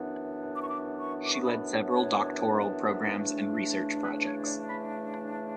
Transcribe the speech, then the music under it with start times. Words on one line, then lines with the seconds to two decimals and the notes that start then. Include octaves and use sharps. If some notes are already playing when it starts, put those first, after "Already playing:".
She led several doctoral programmes and research projects.
Already playing: F#2 E3 B3 D4
0.56 D6
0.63 C#6
0.70 D6
0.99 C#6
1.24 D6
1.34 C#6
1.43 B5
1.86 C#5
3.16 C#3 E3 A3 D4
4.02 B4
4.24 C#5
4.42 C#5
4.46 D5
4.67 B5